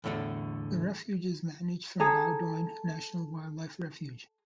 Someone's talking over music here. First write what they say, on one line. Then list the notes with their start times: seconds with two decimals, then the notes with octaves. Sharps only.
The refuge is managed from Bowdoin National Wildlife Refuge.
0.04 E2 A2 D3 G#3 A3
2.00 G#4 A4 A#5